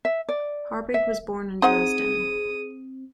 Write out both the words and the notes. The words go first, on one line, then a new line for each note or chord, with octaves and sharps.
Harbig was born in Dresden.
E5
D5
E5
C4 D#4 G#4 C5 F#5 D#6